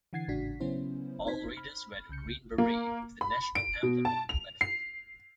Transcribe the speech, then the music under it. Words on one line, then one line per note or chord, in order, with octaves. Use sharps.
All Raiders wear the green beret with the national emblem on the left.
D3 E3 F#5 G#6 A6 C7
G#1 A2 C#3 D4 F#4 B6
C#3 F#3 B3 C#4 E4 C5
C4 D#4 C5 G#6 B6
B5 F6
C2 C#3 G6 C#7
A#3
B5
D7
B2
A5
F7
C7